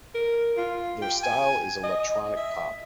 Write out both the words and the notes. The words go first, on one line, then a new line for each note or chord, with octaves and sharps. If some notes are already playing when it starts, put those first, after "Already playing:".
Their style is electronic pop.
A#4
F4
G5
G#5
D#5
E5